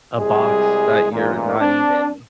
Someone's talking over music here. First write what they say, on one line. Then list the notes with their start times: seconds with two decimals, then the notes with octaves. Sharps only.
a box that you're not even,
0.18 C2 G3 G#3 G#4
1.12 A1 E2 A#2
1.61 C4 D4